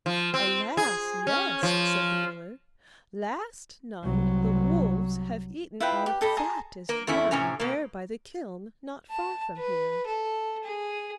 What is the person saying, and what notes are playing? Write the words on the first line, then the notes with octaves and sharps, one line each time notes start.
'Alas! yes,' said the miller, 'last night the wolves have eaten our fattest ram there by the kiln not far from here.'
F3
C4
G#4
C#4
F3
C2 F#3
E4 F4 B4 G5
G4
G4 A4 D#5 B5
G#4 A5 A#5 C6
A#3 A#4
E2 A3 C#4 E4
A2 C3 C#4 G#5 A#5
B2 A#3
A5
B4
A4
G#4